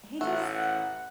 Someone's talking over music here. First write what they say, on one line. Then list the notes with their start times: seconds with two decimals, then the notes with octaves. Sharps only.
"He just ch
0.21 A1 A3 F#5